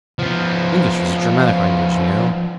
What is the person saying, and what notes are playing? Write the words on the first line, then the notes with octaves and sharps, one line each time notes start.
English is a Germanic language, you know.
F3 B3